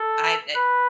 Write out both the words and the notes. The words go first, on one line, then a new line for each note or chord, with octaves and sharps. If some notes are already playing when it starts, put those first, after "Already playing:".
I bet.
Already playing: A4
B4